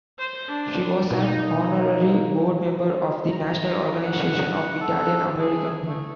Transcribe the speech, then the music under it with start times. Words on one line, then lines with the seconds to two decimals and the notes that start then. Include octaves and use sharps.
She was an honorary board member of the National Organization of Italian American Women.
0.19 C5
0.49 D4
1.11 B2 A#3 D#4
3.31 A#5
4.05 F#5
4.80 A4
5.40 G#4
5.86 A3